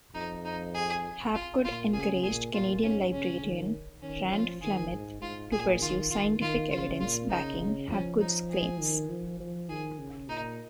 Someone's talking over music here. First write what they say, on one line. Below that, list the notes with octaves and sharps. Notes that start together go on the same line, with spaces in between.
Hapgood encouraged Canadian librarian Rand Flem-Ath to pursue scientific evidence backing Hapgood's claims.
F2 D#4
D#4
G#4
F4
A#2 F4
C#3 G#4
A#2 G#4
A#2 F4
G#2 C#4
C#3 C#4
D#3
D#3 C#4
F3 F4
D#3 G#4
G#2
G#2 F4
A#2 G#4
D#3 F4
D#3 F4
D#3 F4
C#3 F4
A#2 F4
C#3 D#4
C#3
F3 C#4
D#4
G#4
D#3
F3
F3
D#3 G#4
C#3
A#2 D#4